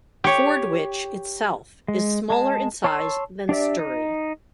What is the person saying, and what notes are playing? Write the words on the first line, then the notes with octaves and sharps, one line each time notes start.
Fordwich itself is smaller in size than Sturry.
G4 C#5
G#3
G#3 A5
C#5 A5 C6 D6 E6
D4 G4 D5 E5
D#4